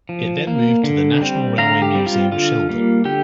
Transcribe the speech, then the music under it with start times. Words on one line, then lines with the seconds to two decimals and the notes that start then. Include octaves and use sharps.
It then moved to the National Railway Museum Shildon.
0.09 F3
0.47 A#3
0.84 D3
1.21 G3 C4
1.58 D3 F5 A#5
1.82 G4
1.95 G3 C4
2.06 F4
2.32 D3 F4
2.69 G3 A#3
3.05 D3 G4